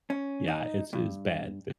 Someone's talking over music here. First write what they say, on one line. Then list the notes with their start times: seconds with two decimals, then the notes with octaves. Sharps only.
Yeah, it's it's bad.
0.10 C#4
0.48 D#4
0.93 G2